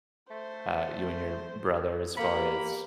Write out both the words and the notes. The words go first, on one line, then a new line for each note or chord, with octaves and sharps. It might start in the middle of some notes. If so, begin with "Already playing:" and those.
uh, you and your brother as far as
A3 C5
A#3 B3 G4 B5